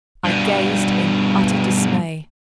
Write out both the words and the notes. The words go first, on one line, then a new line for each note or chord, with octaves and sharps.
I gazed in utter dismay.
G2 B2